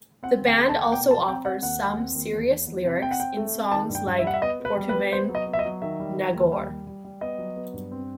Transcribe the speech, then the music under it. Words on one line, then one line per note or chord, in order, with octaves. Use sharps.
The band also offers some serious lyrics in songs like Potuvane nagore!
C4 F#5
D#2
G5
A3
A5
A3
F#5
B2 G5
F#3 A5
C4 G5
C4 F#5
D#2 F#5
D#2
C4
D#2
E2
E2
E2
C3
C4 G5
F#5
C4 G5
A3
C4
D#3 A5
G2
G5
G2
E5
G3 F#5
E5
B3 D#5
B3 B4
G3
B4
B3
B3 C5
F#3
D#5
B3
E5
D#5
F#3
D#3 E5
G3
G3
D#2
G3
G3
G3
G3
B3 D#5
F#3
B3
G2
C4